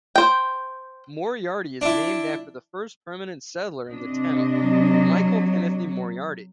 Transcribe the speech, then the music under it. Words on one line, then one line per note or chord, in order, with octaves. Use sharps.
Moriarty is named after the first permanent settler in the town, Michael Timothy Moriarty.
C5 G5
D4 E4
C3 D4 D#5
F#3